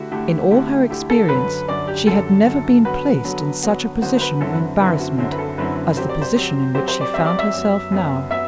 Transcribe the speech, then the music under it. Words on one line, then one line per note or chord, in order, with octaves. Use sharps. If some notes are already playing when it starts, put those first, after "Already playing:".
In all her experience she had never been placed in such a position of embarrassment as the position in which she found herself now.
Already playing: D3 A3 E4 F#4 G4
D3 A3 E4 G4
D3 A3 E4 G4
D3 A3 E4 G4
A4
F#2 D3 F#3 B4
F#2 D3 F#3 D5
G4
F#2 D3 F#3 A4
F#2 D3 F#3
D3 F#3 B3 F#4 B4
D3 F#3 B3 F#4
D3 F#3 B3 F#4
D3 F#3 B3 F#4 C5
C5
B4
F#2 D3 F#3 C4 E4 A4
B4
F#2 D3 F#3 C4 E4 B4
F#4
F#2 D3 F#3 C4 E4
B4
A4
F#2 D3 F#3 C4 E4 B4
F#3 C4 G4 C5
D5
C5
F#3 C4 G4
F#3 C4 G4 C5
C5
D5
F#3 C4 G4 E5
D5
E5
F#2 F#3 B3
F#2 F#3 B3
F#3 B3 E5